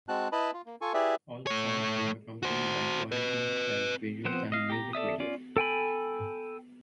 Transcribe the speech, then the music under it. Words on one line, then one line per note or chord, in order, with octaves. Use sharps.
All of the songs were accompanied by "Quarantine Style" visuals and music videos.
G#3 C4 F#4 A5 F#6
E4 B4 D#5 A5 B5
F4
A#3
F4 A4 G#5 C#6
E4 G4 G#4 B4 D5 E5
A3 C#5
F#4 C5
B4 D#5
F3 B3 C4 C5 F#5
D#5 F5
G4 A#5
A4 D5 E5 D#6
C#4 F4 D5
A4 G5 G#5 B5